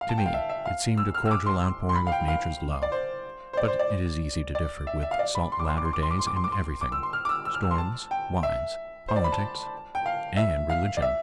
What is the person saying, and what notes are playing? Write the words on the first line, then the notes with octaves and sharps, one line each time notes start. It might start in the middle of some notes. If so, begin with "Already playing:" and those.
To me it seemed a cordial outpouring of Nature's love; but it is easy to differ with salt Latter-Days in everything--storms, wives, politics, and religion.
F5
A5
G5
F5
E5
E5
F5
E6
F6
E6
D6
C6
C6
B5
F5
G5
F5
D5
C5
C5
D5
C5
D5
D5
E5
E5
F5
D5
B5
C6
D6
C6
D6
C6
D6
C6
D6
C6
D6
C6
D6
C6
D6
E6
C6
F6
D6
E6
E6
F6
E6
C6
A5
G5
E5
C5
D5
B5
A5
G5
F5
E5
F5
D5
E5